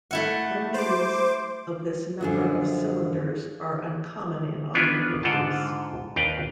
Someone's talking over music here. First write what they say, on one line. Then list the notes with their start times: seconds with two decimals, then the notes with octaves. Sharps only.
Engines of this number of cylinders are uncommon in automotive use.
0.11 A3 E4 F#5
0.74 C5 D6
2.21 F#2 D3 F3
4.74 B3 C#4 D4 F4 B4 G#5
5.23 G#2 D3 F4 F#5 G5 A5
6.16 D#2 B4 D5 F5 G5 A#5